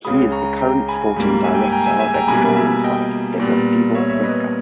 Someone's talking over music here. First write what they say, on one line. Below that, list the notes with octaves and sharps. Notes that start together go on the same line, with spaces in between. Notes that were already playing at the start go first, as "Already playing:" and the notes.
He is the current sporting director of Ecuadorian side Deportivo Cuenca.
C#2 C#3 G#3 B5 D#6
A#5 C#6
G5 A#5
G#5 B5
G#2 G3 A#3
E5 G#5
G5
G#5
G5 A#5
E5 G#5
E5 G#5
G5 A#5
B2 G3 A#3 G#5 B5
E5 G#5
D#5 G5
A#2 G3 B3
C#5 E5
C#5 E5
B4 D#5